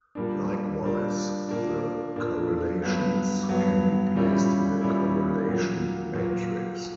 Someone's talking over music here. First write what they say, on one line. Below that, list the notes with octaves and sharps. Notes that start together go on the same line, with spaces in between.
Likewise, the correlations can be placed in a correlation matrix.
A#2 G3 A#3 D4
A#2 G3 A#3 D4
A#2 A#3 D4
A#2 A#3 D4
G2 F#3 B3
G2 F#3 B3
A#2 G3 C#4 E4
A#2 G3 C#4 E4
A#2 F#3 A#3
A#2 F#3 A#3